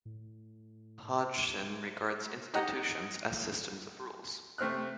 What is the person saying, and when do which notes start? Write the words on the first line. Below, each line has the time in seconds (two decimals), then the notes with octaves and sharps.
Hodgson regards institutions as systems of rules.
0.05 A2
2.54 D#4 G4 D#5 F#5 A#5
4.58 C3 A3 C4 F6 F#6